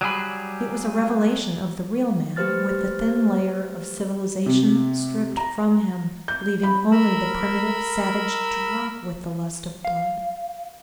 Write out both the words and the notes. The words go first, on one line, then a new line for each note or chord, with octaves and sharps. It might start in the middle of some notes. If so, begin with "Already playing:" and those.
It was a revelation of the real man with the thin layer of civilisation stripped from him, leaving only the primitive savage drunk with the lust of blood.
F#3 G3 G#4 B5
A3 G4 B4 C5 F6 A6
C3
A#5
G6
B5
A#4 B5 E6
F5